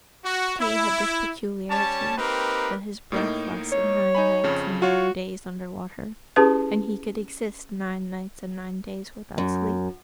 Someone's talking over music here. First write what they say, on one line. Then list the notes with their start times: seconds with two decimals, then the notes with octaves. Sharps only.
Kay had this peculiarity, that his breath lasted nine nights and nine days under water, and he could exist nine nights and nine days without sleep.
0.24 F#4
0.59 E4
1.69 G3 C#4 C#5 A5
2.17 A#3 C4 D#4 G4 A#4 B4
3.12 A2 A#3 D#4
3.72 C#5
4.15 D#4 G#5 B5
4.44 F2 C#3
4.82 F4 F#4 C#5
6.36 C#4 E4 G4 G#4 B4 A5
9.38 F#2